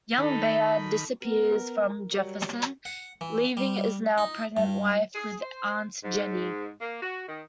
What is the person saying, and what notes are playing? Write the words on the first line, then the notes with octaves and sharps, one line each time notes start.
Young Bayard disappears from Jefferson, leaving his now pregnant wife with Aunt Jenny.
D#3 D#4 A4 B5
B3 A#4
F#3 G3
F#5
E3
G3
D#4
G2
G#4
C5
G#2
A#3
F#4
D#3